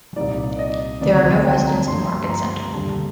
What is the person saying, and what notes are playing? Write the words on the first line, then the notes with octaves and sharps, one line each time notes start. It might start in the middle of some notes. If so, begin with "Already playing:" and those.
There are no residents in Rocket Center.
C2 A#2 G3 A#3 D#4 D5
D5
D#5
D2 C3 D#3 D5
D5
C5
G5
A5
A#5
G2 F3 A#3 C6
C6
A#5
D#2 D3 G3 A#3 A5